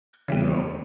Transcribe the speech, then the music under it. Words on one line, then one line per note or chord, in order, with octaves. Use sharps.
you know?
C#3 E3 G3